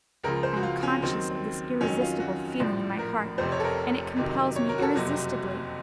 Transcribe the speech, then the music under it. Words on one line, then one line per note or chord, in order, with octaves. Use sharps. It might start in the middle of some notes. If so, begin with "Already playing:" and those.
I am conscious of this irresistible feeling in my heart, and it compels me irresistibly.
C#2 C#3 F3 A#4
C5
F#4
F4
C#4
D#2 D#3 F#3 C4
F2 D#3 F#3 C#4
F4
F#4
A#1 A2 F3
A#4
F1 F2 C3 C5
C#5
A4
A#4
F2 C3 D#3 F#3
C#5
A#4
F#4
A4
F#1 F2 C3 F#3 F#4